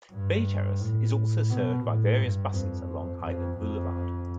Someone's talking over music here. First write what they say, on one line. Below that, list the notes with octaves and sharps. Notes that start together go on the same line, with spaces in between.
Bay Terrace is also served by various buses along Hylan Boulevard.
G2
A2
B2
A2
G2
F2
F2
F2